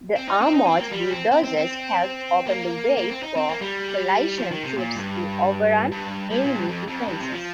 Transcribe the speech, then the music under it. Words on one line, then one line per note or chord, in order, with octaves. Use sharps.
The armored bulldozers helped open the way for coalition troops to overrun enemy defenses.
C4
D#4
C4
D#4
C4
A#3
G3
C4
C4
C4
C4
A#3
A#3
C4
D#4
C4
A#3
G3
F3
D#3
C3
A#2
G2
G2
G2
A#2
G2
F2
F2
G2
C3
F3